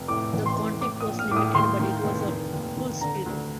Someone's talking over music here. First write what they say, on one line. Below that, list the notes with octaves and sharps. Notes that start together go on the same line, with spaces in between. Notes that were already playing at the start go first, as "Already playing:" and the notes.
The contact was limited, but it was at full speed.
Already playing: F1
A2 D6
A1
C6
A2
A2 D6
D#6
A#1
F6
A2 D6
D#6
D#2 C6
D#3
F1
D#3
D#2
D#3
D3 A#5
D2